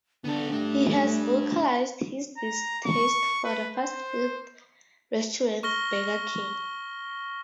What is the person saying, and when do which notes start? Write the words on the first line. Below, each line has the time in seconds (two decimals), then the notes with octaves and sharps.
He has vocalized his distaste for the fast food restaurant Burger King.
0.24 D3 B3 A4
0.51 A3 D4 G4
2.37 A#5
2.85 C#6
3.45 B4
3.76 C5
5.63 C#6 F6 A#6 G7